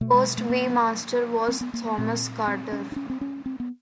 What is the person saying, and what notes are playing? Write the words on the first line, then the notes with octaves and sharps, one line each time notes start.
The first Waymaster was Thomas Carter.
B2 A3
G#3
A3
A#3
C4
B3
A#3
A#2 C4
C4
C#4
D4
C#4
C4
C#4
C4
B3